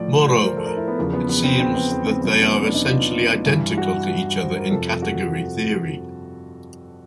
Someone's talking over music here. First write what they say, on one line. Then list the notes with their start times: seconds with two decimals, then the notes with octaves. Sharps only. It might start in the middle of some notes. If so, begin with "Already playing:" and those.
Moreover, it seems that they are essentially identical to each other in category theory.
Already playing: A2 F3 D5
0.35 C5
0.46 A#4
0.57 A4
0.66 A#4
0.77 E4
0.88 B3
0.98 E2 C#3 F3 A#3
1.13 B3
1.29 B3
1.44 C4
1.60 C4
1.75 B3
1.92 B3
2.07 C4
2.22 E2 B2 F#3 C4
2.33 C#4
2.43 B3
2.53 C#4
2.64 D4
2.74 D#4
2.85 F4
3.46 G2 E3
3.77 F#4
4.40 C5
4.56 A#4
4.71 F2 C3 F3 A4
5.02 F#4